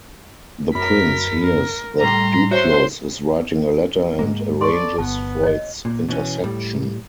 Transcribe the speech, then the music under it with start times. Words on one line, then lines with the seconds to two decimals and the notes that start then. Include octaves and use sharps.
The Prince hears that Duclos is writing a letter, and arranges for its interception.
0.75 F#2 A#4 B5 B6
1.41 A#4
2.01 A2 G3 A#5 C6
2.51 F#4 C5 C#5 E5 C6
4.19 G#2 G#3 A#3
4.61 A4 D5 C6 C#6
4.98 G1 B3 A5
5.43 C#5 D#5
5.85 A#2
6.09 B2 E3 C#4
6.44 A2 G3